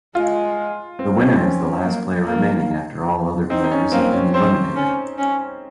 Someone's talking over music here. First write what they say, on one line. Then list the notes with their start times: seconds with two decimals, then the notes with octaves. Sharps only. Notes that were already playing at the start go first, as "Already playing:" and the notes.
The winner is the last player remaining after all other players have been eliminated.
0.15 G#3 F4
0.99 C4
1.15 C4
1.20 C#4
1.33 C4
1.41 C#4
1.82 A#3
2.24 A#3
3.50 C4 D#4
3.64 D#4
3.71 C#4
3.92 A#3 C4
4.13 C#4
4.34 C4 C5
4.76 C#4
5.18 C#4